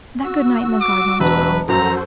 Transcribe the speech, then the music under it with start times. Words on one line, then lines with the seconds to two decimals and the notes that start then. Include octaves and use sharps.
That good night in the garden was for all time.
0.24 F#4 E6
0.80 D6
1.20 E1 B4
1.68 F#2 F#4 A4 C5 A#5